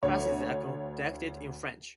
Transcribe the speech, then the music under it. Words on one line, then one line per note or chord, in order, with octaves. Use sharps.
Classes are conducted in French.
D2 C#5